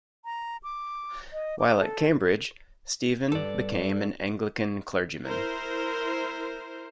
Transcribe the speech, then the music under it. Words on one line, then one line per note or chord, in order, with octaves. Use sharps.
While at Cambridge, Stephen became an Anglican clergyman.
A#5
D6
D#5
D6
A4
G2 A4 D5
E4 A#4 C5